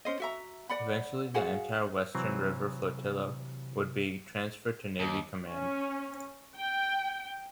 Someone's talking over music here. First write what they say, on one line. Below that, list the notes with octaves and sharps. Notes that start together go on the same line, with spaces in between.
Eventually the entire western river flotilla would be transferred to Navy command.
C#4 C5 D#5
F#4 E5 A#5
D5 F#5 B5
F#4 G#4 F5 F#5
C3 E3 F#3 C4
D#2
C#4
G5